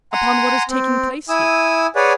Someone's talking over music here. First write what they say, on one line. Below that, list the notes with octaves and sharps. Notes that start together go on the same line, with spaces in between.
"Upon what is taking place here."
F#5 G#5 A#5 C6
C4
E4 G#5 D#6 E6
G#4 B4 C#5 D5 F#5 G#5